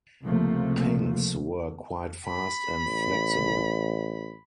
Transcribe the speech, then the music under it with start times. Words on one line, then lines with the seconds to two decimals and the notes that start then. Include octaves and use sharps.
Pinks were quite fast and flexible.
0.24 C#2 C3 F3 A3 A#3
2.27 B5
2.87 A1